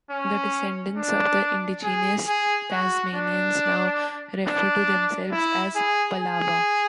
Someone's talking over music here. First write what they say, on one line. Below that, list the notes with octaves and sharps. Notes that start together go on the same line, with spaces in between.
The descendants of the indigenous Tasmanians now refer to themselves as 'Palawa'.
C#4
D4
G#4
G#4
F#4
D4
D4
E4
G#4
G#4